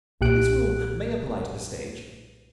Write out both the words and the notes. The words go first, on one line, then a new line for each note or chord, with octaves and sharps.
And this rule may apply to the stage.
B1 A#2 G4 F#6 D7